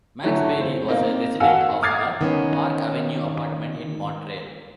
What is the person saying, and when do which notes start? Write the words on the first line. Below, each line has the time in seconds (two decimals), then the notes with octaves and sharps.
Max Bailey, was a resident of a Park Avenue apartment in Montreal.
0.24 D3 E3 F#3 A3
0.61 C5
0.88 A#3 C4 D#4
1.40 F#4 A4 F5 F#5 G#5 E6
1.82 D6 D#6 F6 G#6 A6 C7
2.21 D#3 B3 C#4